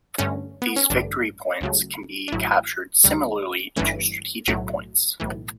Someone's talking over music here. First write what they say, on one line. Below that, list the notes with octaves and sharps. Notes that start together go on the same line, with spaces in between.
These victory points can be captured similarly to strategic points.
G2 D3 A3 C#4
B3
C#4
A1 G2 D3 D4
C#2 C#3 F#3 A3
D4
A1 A2 F#3 E4
D2 C#3 G3
G1 G2 E3 A3 C#4
B1 A2 F#3 A3
B1 A2 E3